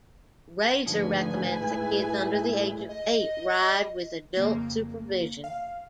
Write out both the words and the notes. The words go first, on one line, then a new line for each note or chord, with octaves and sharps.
Razor recommends that kids under the age of eight ride with adult supervision.
G#2 D3 F3 A3 D#4 B4 G#5
A2 G#3 E4
D#5
F2 C#3 A#3
F5